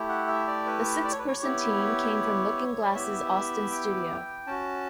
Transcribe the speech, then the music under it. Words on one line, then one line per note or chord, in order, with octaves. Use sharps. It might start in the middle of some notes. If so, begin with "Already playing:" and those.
The six-person team came from Looking Glass's Austin studio.
Already playing: A3 E4 G4
F#5
E5
D5
B4
D5
C#5
B4
C#5
B3 E4 G4
B3 E4 G4 E5
G5
C#4 F#4 A5